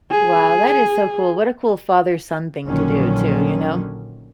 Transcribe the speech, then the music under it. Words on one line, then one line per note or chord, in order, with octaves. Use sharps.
Wow, that is so cool. What a cool father-son thing to do, too, you know?
G#4
A#1 A#2 D3 D#3 F#3 C#4